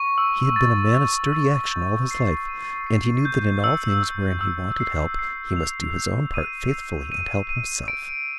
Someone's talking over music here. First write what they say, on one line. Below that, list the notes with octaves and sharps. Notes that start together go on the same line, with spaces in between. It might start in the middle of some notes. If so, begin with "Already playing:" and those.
He had been a man of sturdy action all his life, and he knew that in all things wherein he wanted help he must do his own part faithfully, and help himself.
Already playing: C#6
E6
A6
A6
E6
G6
C7
D#7
C7
G6
E6
E6
E6
C7
C7
F7
G6
D#7
C7
D#7
D#7
D7